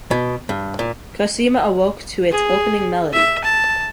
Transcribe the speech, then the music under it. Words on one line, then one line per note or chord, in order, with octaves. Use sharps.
Cosima awoke to its opening melody.
B2
G2
A#2
G#4
E5
A5